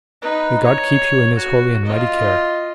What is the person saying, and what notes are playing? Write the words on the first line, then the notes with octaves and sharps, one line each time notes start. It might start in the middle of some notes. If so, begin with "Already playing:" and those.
May God keep you in His holy and mighty care.
D#4 B4
C#5
F#4
F4 D#5